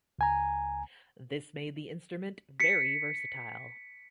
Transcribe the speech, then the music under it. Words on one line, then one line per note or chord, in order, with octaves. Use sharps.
This made the instrument very versatile.
C#2 G#5 A#5
B6 C#7